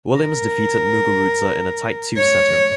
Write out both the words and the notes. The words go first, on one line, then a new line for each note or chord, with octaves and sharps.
Williams defeated Muguruza in a tight two-setter.
A#4
C#5